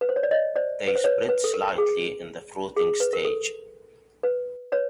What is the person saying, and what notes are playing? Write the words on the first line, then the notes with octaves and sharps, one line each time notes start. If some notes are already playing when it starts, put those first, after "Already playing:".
They spread slightly in the fruiting stage.
B4
C5
C#5
D5
C#5 D#5
C5 D5
B4
C5
B4 C#5
B4
A4
A#4
G#4
G#4
B4
A#4
A4
B4
B4 C#5